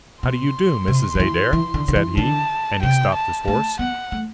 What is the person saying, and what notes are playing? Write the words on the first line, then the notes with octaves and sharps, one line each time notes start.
"How do you do, Mrs. Adair?" said he, and he stopped his horse.
B2 C6
C3
F#3
E3
E3
D3
D3
E3
D3 A5
C3 G5
A5
A3 A5
B3 F#5
A3